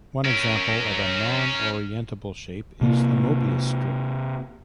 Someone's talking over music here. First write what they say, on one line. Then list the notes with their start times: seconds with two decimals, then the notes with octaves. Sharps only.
One example of a non-orientable shape is the Mobius strip.
0.25 C#4 A#4
2.81 C3 A#3